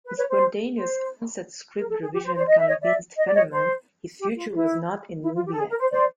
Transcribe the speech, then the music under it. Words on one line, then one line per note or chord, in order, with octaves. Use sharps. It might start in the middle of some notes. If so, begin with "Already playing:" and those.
A spontaneous on-set script revision convinced Fenneman his future was not in movie acting.
B4
B4 C#5
C5
C5
A#4
A4
G#4
G4
C5
C5 D5
D#5
E5
C#5 D#5
D5 E5
D#5
D5
C#5 D#5
C5
G4
F4
E4
E4
F4
G4
A4
G#4
A#4
C5
C5 D5